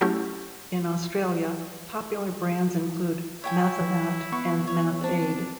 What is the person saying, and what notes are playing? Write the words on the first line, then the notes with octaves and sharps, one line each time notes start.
In Australia, popular brands include Mathomat and MathAid.
F#3 A3 C#4 E4 G4
E4 C#5 G5 G#5
E3
B3 B4 C#6
C#5
C4 D4 A5